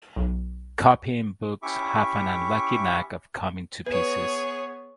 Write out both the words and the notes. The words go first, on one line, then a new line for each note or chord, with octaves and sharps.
Copying-books have an unlucky knack of coming to pieces.
B1
C#4 E4 G4 E5 C#6 D6
B3 G#4 B4 C#5